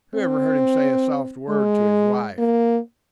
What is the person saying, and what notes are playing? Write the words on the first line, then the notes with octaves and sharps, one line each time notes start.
Who ever heard him say a soft word to his wife?
C4
G#3
A#3